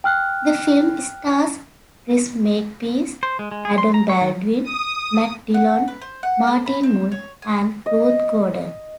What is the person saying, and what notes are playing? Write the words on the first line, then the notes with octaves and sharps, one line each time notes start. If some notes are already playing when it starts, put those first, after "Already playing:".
The film stars Chris Makepeace, Adam Baldwin, Matt Dillon, Martin Mull, and Ruth Gordon.
G5 F6 F#6
C5
G#3
G#3
G#4
C6
A#5
C#5
D#3
D#6
F#5
B4
C5
F#5
A4
B5
C4
C#5
G#5
D#5